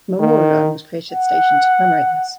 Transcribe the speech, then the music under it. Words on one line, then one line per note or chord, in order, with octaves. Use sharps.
A memorial garden was created at the station to commemorate this.
D#3
F#5